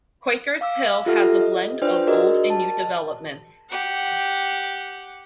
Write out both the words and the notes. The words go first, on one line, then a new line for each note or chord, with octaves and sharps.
Quakers Hill has a blend of old and new developments.
F5 D6 E6
F4 G4 A4 E5 F#5 F6
D#5
D4 F4 B4 C5 D5 G5
F#4 G#4 A#4 D5 D#5
A5
G4 F#5